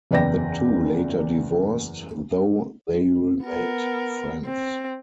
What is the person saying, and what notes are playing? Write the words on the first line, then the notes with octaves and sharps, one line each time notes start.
The two later divorced, though they remained friends.
F#1 E2 B4 D5 G5 A#6
B3 A#4
C4